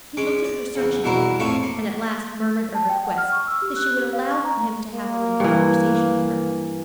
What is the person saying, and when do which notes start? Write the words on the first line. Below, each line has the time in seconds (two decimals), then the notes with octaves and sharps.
He looked at her searchingly, and at last murmured a request that she would allow him to have a little conversation with her.
0.17 G#3 C#4 D6
0.44 D5
0.75 E2 C#3
1.03 E2 G2 B2 E4 F#4 A#4
1.39 F2 A2 A3 F4 C#6 D6
1.63 A#3
2.75 A5
2.89 G5
3.05 F#5
3.18 F6
3.32 C#6
3.47 E6
3.62 G4
3.76 F#6
3.97 G4
4.13 F5
4.31 C#6
4.45 A#5
4.94 A#3
5.40 G2 E3